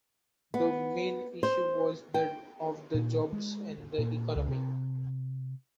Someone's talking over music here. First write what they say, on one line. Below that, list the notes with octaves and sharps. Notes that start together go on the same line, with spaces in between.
The main issue was that of the jobs and the economy.
B3
C5
G5
A#2
G#3
A#2
C#2
C3